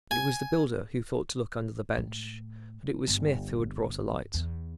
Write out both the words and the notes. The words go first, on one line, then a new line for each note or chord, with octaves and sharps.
It was the builder who thought to look under the bench, but it was Smith who had brought a light.
G#5
A2
G1
E2